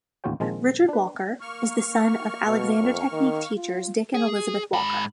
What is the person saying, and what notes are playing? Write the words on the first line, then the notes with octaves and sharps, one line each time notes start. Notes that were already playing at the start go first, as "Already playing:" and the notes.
Richard Walker is the son of Alexander Technique teachers Dick and Elisabeth Walker.
A1 D#2 F4 F#4 C#5 G5
A#1 D#3 G#3 C4 F4 A5
D4 B4
A#3 C#6 F6
B2
F2
D#3
F4
G#4
G#2 B5